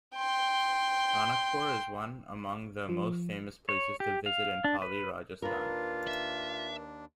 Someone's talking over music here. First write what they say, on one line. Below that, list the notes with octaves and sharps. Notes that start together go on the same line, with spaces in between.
Ranakpur is one among the most famous places to visit in Pali, Rajasthan.
G5 C6
F3
C#5
G4
F5
D4
B4
D#2 D4 F4 A#4 B4
E5